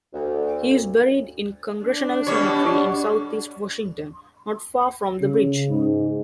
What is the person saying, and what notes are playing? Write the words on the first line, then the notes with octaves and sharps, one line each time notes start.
He is buried in Congressional Cemetery in Southeast Washington, not far from the bridge.
D2
D4
B2 G3 C#5
C#3
G#2